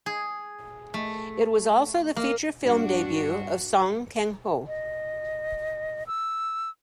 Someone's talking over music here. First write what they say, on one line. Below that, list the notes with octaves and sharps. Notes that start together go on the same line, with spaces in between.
It was also the feature film debut of Song Kang-ho.
G#4
A3
A#3
G2 D4 F#4
D#5
E6